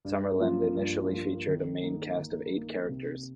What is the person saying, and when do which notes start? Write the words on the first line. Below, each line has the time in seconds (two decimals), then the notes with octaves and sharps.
"Summerland" initially featured a main cast of eight characters.
0.05 G2
0.40 F3 A#3 F4
0.75 G2
1.11 F3 A#3 F4
1.47 D#3
1.83 A#3 D#4
2.18 D#3
2.54 A#3 D#4
2.89 C3